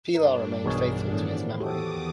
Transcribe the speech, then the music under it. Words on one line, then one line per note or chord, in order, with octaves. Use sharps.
Pilar remained faithful to his memory.
G2 D4 A#4
B1 B2 E3 G#4 A#4 C#5
A2 D#3 F3 B3
E2 F#4 G4 A4 D6 D#6